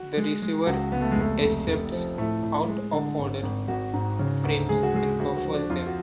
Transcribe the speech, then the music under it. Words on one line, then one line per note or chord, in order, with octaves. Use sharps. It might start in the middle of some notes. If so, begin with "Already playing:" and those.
The receiver accepts out-of-order frames and buffers them.
Already playing: F#4
G#3
G#3
C#2 F#4
C#2 B3
A3
G#3
F1 A3
F1
F1
F3
A2 A3
A2
G#3
D3
G#1
G#1
G#1 F#4
G#2
C#3
D2
G#3 G#4
F#4
G#3 G#4
D2 F#4
F#4
F3
D4
F2 F4
F#4